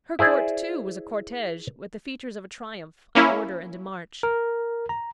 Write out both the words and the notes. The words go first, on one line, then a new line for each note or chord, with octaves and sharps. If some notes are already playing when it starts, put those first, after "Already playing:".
Her court, too, was a cortege, with the features of a triumph, an order and a march.
E4 G#4 C5 D5
A#3 C#4 E4
A#4
A#5